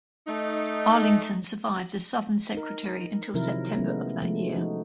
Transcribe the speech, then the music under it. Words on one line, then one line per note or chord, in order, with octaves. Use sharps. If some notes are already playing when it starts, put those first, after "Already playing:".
Arlington survived as Southern Secretary until September of that year.
A3 D#4
D#4 A#4
C3 D#3 F3 F#3 E4 A#4
G#3 A3 B3 C#4
F3 G#3 A3
D#4 F#4